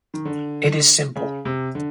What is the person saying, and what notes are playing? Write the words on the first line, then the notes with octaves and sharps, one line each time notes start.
It is simple.
D#3
D3
C#3
C3
D3